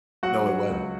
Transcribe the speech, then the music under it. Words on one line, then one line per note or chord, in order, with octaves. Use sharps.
No, it wasn't.
F#3 F#4 F#5
F#3
C#2